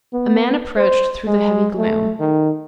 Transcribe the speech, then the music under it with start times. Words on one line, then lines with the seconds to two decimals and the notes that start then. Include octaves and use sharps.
A man approached through the heavy gloom.
0.13 B3
0.77 C5
1.27 G#3
1.78 A3
2.20 D#3